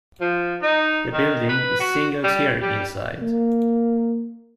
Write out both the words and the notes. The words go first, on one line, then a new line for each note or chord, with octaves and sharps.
The building is single-tiered inside.
F3
D#4
D#3
B4
F#4
G3
G3
A#3